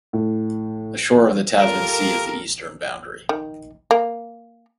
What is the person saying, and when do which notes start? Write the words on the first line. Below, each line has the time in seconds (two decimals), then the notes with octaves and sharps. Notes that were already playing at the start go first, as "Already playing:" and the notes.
The shore of the Tasman Sea is the eastern boundary.
0.13 A2
1.59 F4 G4 A4 A#4
3.29 D#3
3.91 A#3